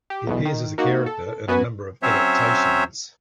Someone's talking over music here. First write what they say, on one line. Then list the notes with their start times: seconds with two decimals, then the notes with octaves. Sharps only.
He appears as a character in a number of adaptations.
0.10 G4
0.27 B1 E2 B2
0.45 D#3
0.78 A#3 D#4 F#4
1.06 A4
1.48 F#2 B3 F#4 B4 G#5
2.02 F#3 C4 C#4 C5 C#5 E5